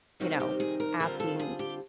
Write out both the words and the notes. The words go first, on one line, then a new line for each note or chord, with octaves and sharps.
"you know, asking
C3 D#3 G3 C4 D#4 F#4
G4
G#4
A#4
D3 G3 C4 F4 A#4
A4
G#4
G4